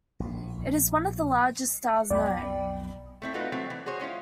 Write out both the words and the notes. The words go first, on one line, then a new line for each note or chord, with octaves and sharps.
It is one of the largest stars known.
A#1 A2
B1 F2 B2 D5 G5 B5
A3 C4 E4
A3 D#4 F4 F#4 B4
F#3 A3 C4 E4
E3
F#4 G#4 C5 C#5
G#3 C#4 E4 F4